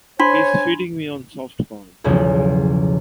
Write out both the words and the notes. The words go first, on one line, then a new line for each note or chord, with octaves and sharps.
He's feeding me on soft corn, thought I.
D4 C5 C#5 G#5 B5 C6 B6
B1 E2 C#3 F3 F#3